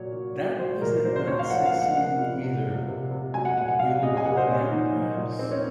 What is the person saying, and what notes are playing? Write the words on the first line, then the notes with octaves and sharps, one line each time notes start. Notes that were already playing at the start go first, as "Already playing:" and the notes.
That visit not succeeding either, you will go again perhaps?
Already playing: A#2 F#3 C#5
F#3
F#3
F#3 C5
A#2 A#4
F#3 C5
C5
A#2 C#5
F5
F3 F#5
F5
F3
F#5
F3 F#5
F3
C3
F3
C3
C3
F#3 G#5
F#5
A#2 F#5
F#5
F#3 F5
A#2 D#5
G#5
A#2 F#5
C5
A#2 C#4
C#4
A#2 D#4
A#2
A#2
F3 C4
C#4